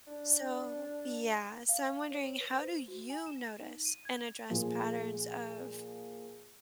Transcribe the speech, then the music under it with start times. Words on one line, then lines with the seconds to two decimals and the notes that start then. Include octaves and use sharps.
so Yeah. So, I'm wondering how do you notice and address patterns of
0.07 D4
1.69 F5
2.11 C#5
2.41 B4
2.59 C5
2.88 F#4
3.10 G#5
3.26 E7
3.60 D#4
3.85 D#7
4.05 G#6
4.50 A#2 F3 F4 G#4